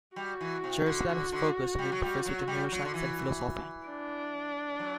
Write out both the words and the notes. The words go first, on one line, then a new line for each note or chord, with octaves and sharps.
Churchland has focused on the interface between neuroscience and philosophy.
G3 F#4
E3
C3
D3
D3
D3
G3
F#3
G3
F#3
G3
F#3
D3
E3
D4
F#3